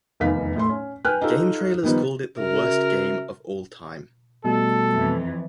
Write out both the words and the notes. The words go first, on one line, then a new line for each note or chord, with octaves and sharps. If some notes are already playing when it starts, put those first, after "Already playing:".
GameTrailers called it the worst game of all time.
F1 E2 D#3 F5 B6
A2 A3 C6
C#4
B4 G5 G#5 F6 F#6
D#4 F4 G4 A4
D#3 F3 G3 B3 D#4
C#3 F#4 A#4 E5
B2 G3 A3 A4
F2 E3